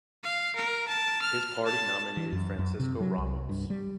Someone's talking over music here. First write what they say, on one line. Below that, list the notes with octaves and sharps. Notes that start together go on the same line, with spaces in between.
His party nominated Francisco Ramos.
F5
A#4
A5
F6
A5
E3
F#2
F#2
C3
F#3
C2
G2
G3